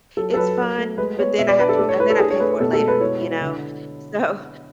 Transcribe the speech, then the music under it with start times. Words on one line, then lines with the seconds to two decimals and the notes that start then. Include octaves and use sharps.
it's fun, but then I have to and then I pay for it later, you know? So
0.17 F#3 A4
0.34 A4
0.37 F#3 B4
0.58 F#3
0.78 A3
0.98 G#3 B4
1.19 B3 C#5
1.38 B2 E5
1.49 D5
1.59 D4 B4
1.69 A4
1.79 A3 A4
1.89 C#5
1.99 E4 B4
2.10 A4
2.19 D4 G#4
2.30 C#5
2.40 A3 B4
2.60 B2 A4
2.73 A4
2.80 G#3
2.88 B4
3.01 E4 C#5
3.21 E4
3.41 D3